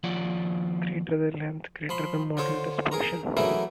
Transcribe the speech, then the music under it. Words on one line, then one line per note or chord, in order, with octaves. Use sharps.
The greater the length, the greater the modal dispersion.
D#2 F3 F4 C#5 D5 F#5
F3 B5 C6
D3 F4 C5 C#5
G#4 A#4 A#5
E3 F#3 A3 E4 G#4 A#4